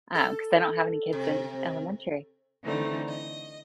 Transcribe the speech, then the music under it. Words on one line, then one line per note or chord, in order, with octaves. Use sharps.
um, 'cause I don't have any kids in elementary.
A4
C3
D3 E3 A3 C4 D#4
D#5